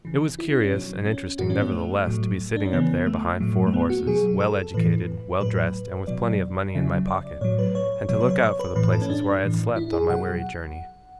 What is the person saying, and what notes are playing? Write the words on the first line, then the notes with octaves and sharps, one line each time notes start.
It was curious and interesting, nevertheless, to be sitting up there behind four horses: well educated, well dressed, and with plenty of money in my pocket; and to look out for the places where I had slept on my weary journey.
C#3 E3
E4
D4
C#4
B2 F#3
C#4
A2 E3 F#4
C#4
B3
A3
A2 F#3
D4
C#4
C#3 E3 B3
A3
A2 F#3
A3
B3
F#4
B2 F#3 G#4
A4
A2 E3 B4
A2 F#3 B4
B2 F#3 D5
C#3 F#3 E5
D5
A2 F#3 C#5
B4
C#5
B2 F#3 C#5
B4
C#5
C#5
B4
A2 E3 B4
A4
C#4
D4
A2 E3
E4
G#4
B2 F#3 F#5